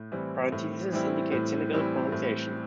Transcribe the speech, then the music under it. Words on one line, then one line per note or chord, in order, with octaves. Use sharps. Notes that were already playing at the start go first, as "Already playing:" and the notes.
Parentheses indicate Senegal pronunciation.
Already playing: A2
E3 G3 C4 E4
A2
E3 G3 C4 E4
A2
E3 G3 C4 E4
A2